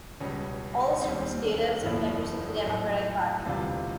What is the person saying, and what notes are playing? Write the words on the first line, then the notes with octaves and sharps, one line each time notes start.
All its representatives are members of the Democratic Party.
C#2 B2 G3 C#4
D#2 D#3 G3 C4
D4
F#1 E2 C#3 F3 E4
D#4
A#1 A2 F#3
E1 D2 C3 E3 G3 F4